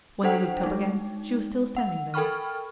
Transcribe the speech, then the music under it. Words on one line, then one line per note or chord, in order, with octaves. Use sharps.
When he looked up again she was still standing there.
D4 A4 C5 F#5 G5
G#3 D#4
F#5
A4 A#4 G5 B5 C#6 F6